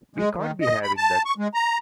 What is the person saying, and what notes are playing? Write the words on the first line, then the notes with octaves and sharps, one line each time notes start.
We can't be having that!
G#3
D#3
D#5
B5
A5
C#6
G#3
A#5